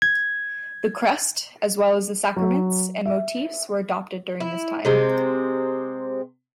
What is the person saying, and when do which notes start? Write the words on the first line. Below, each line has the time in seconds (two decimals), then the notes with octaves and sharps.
The Crest, as well as the sacraments, and motifs were adopted during this time.
0.02 G#6
2.36 F#3
3.06 E5
4.40 E4
4.85 C3 G#3 C4